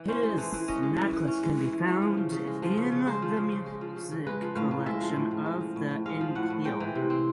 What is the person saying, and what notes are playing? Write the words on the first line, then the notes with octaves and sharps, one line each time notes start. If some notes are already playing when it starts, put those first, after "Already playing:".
His "Nachlass" can be found in the music collection of the in Kiel.
Already playing: E3
C#4 C5
G#3
E3 A4
E3
C#4 D#5
G#3
E3
E3
C#4
G#3
E3
E3
G#3 C#5
F3
C#3
C#3
G#3
F3
C#3
C#3
G#3 C5
F3
C#3
C#3
G#3
F3
C#3
C#3
G#3 B4
F3
A2 F5
A2
G#3 E5
F3
A2
A2
G#3
F3
A2
A2
G#3 F5
F3
A2 F#5
A2
G#3 G5
E3
C3
C4